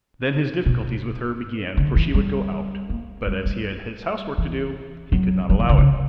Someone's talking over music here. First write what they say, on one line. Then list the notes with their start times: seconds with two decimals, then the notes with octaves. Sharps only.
Then his difficulties with her began for she would go out, but as he had his housework to do, he could not allow it.
0.66 B2
1.77 D3
1.96 E3
2.14 G3
2.89 A#3
3.27 G3
3.45 G3
4.38 E3
5.12 F#3
5.50 F#3
5.60 E3
5.69 D3
5.78 C#3